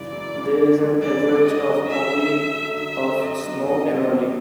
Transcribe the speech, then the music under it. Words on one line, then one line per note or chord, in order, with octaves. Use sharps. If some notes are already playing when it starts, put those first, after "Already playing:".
There is an average of only of snow annually.
Already playing: F#2 C#3 E3 G#3 D5
F#2
C#3 E3 G#3
F#2
C#3 E3 G#3
F#2 D5
C#3 E3 G#3
D3 D#5
F#3 A3 D4
D3 E5
F#3 A3 D4
D3
F#3 A3 D4
D3 E5
F#3 A3 D4
F#2 D#5
D#3 F#3 B3 D4
F#2 D#5
D#3 F#3 B3 D4
F#2